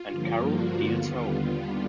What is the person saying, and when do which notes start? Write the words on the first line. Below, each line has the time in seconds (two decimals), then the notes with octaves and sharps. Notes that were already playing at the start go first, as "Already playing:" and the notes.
"And Carew steals home".
Already playing: F4
0.11 G2 D3 F3 A#3
0.53 F#4
0.93 D#2 D3 G3 B3 F4